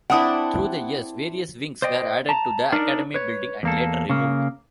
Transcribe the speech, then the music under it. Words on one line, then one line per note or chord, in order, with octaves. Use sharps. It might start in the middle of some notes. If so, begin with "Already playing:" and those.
Through the years, various wings were added to the Academy building and later removed.
C4 D4 E4 F#5 D#6
C5 D5 D#5 G5
A5 A#5
D4 D#4 A#4 D5
B4 C#5
E2 A#3 A4
C#3 A#3